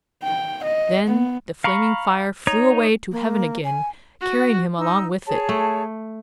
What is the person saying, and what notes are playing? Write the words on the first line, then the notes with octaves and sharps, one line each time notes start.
Then the flaming fire flew away to heaven again, carrying him along with it.
G5
D#5
B3
F5 A#5 B5 C#6
D#4 C#5 A#5
A#3
G#5
F#4
D#4 E6
G#4 C#5 A5
A3